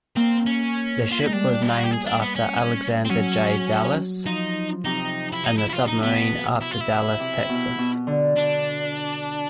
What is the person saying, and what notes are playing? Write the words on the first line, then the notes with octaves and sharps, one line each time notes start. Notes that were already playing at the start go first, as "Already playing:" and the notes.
The ship was named after Alexander J. Dallas and the submarine after Dallas, Texas.
A#3 C4
C#4
F4
E4
G#3 D#4
G3 D4
E4
F4
F#4
G4
G#4
D4
B3
C#4
C4
F#3 C#4
F3 D#4
C3 D#4
E4
D#4
E4
E4
F4
D#4
B2 B3
E4
F4
E4
C3
B2
B2
D3
D3 D4